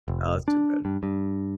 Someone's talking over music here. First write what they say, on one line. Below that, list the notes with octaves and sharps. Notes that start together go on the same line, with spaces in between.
Oh, that's too bad.
F1
D4
G2
G2